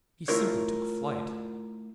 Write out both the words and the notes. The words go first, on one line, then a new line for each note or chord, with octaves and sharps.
He simply took flight.
A3 E4 F4 A#4 C#5